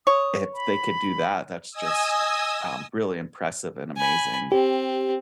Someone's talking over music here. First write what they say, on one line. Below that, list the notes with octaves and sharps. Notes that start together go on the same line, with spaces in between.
if they could do that, that's just, um, really impressive and amazing.
C#5 D#6
B5
D#5 G#5 D#6 E6
G#5 B5
C4 G4